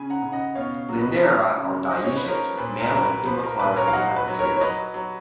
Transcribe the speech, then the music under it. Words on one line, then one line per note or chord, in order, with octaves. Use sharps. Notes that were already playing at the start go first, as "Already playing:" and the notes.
"Lindera" are dioecious, with male and female flowers on separate trees.
Already playing: C#3 G#5 B5
F#5 A#5
C#3
D#5 F#5
B2 C#5 F5
F#3
B4 D#5
D#5
F#3 C#5 F5
C#3
F3 D#5
C#5
B4
F3 A#4 C#5
A#2 B4
A#4
B4
F#3 A#4
B4
F3 B4
A#4
A#2 B4
A#4 C#5
F5
F#3 D#5 F#5
B4
F#3
A#4 C#5
C#5
F#3 B4 D#5
F#3